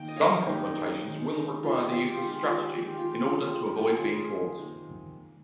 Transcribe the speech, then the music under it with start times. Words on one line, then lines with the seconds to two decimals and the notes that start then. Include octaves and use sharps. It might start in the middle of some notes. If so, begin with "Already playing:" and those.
Some confrontations will require the use of strategy in order to avoid being caught.
Already playing: D#3 A#3 G5
0.08 D#5
0.16 C#5 F5
0.46 D#3 A#3 D#4 G4
1.05 D#3 G#3
1.63 D#3 G#3 F4
1.78 G4
1.90 F4
2.05 G4
2.17 F4
2.23 D#3 G#3
2.31 G4
2.44 F4
2.58 G4
2.71 F4
2.81 D#3 G#3 G4
2.98 F4
3.11 G4
3.25 F4
3.39 C3 D#3 A#3 G4
3.52 F4
3.66 G4
3.79 C#4 F4
3.97 C3 D#3 A#3 F4 G#4
4.57 C3 D#3 A#3